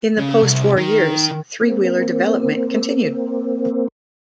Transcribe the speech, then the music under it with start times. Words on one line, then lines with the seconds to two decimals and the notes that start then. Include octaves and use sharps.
In the post-war years, three-wheeler development continued.
0.18 C#3
0.42 C2
0.77 D#3
1.61 A#3 C4